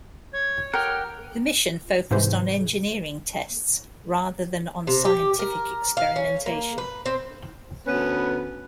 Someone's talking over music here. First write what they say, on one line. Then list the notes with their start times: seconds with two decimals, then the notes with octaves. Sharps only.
The mission focused on engineering tests rather than on scientific experimentation.
0.33 C#5 G#6
0.74 G4 A#4 F#5 G5 D#6 F6
2.11 G#2 C3 E3 C5
4.87 C3
5.05 G4
5.39 A#4
5.97 F5
6.16 C#4
6.46 A#3
6.78 B4
7.06 C4
7.87 D2 B3 C#4 B4